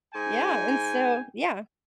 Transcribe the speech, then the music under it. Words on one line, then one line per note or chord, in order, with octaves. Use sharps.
Yeah, and so yeah.
G#2 G5 G#5